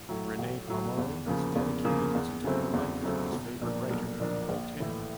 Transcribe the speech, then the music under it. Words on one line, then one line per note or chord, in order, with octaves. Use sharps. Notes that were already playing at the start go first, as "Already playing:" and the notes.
René Pomeau has dedicated his entire life to his favorite writer, Voltaire.
Already playing: A1
A2 F#3
A1
A2 F#3
E2
C#3 F3 A#3
E2
C#3 F3 A#3
E2
C#3 F#3 A3 C4
E2
C#3 F#3 A3 C4
B1
A#2 F3 A#3 D4
B1
A#2 F3 A#3 D4
A#1
A2 E3 A3